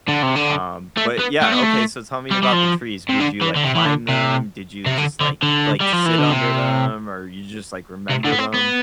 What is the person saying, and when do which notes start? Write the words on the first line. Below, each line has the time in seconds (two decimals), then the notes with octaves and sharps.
um, but yeah, okay, so, tell me about the trees, would you, like, climb them? Did you just, like, like to sit under them, or you just, like, remember them?
0.08 D3
0.23 C3
0.36 D3
0.97 A3
1.19 B3
1.42 A3
1.52 B3
1.63 A3
2.31 G3
2.43 G3
2.53 F3
3.09 C3
3.20 D3
3.42 E3
3.56 D3
3.64 C3
3.75 E3
3.86 D3
4.09 C3
4.86 C3
4.98 D3
5.20 D3
5.43 D3
5.81 G3
5.93 F3
6.06 E3
6.19 D3
6.31 C3
8.10 C3
8.25 D3
8.32 B3
8.39 C4
8.54 B3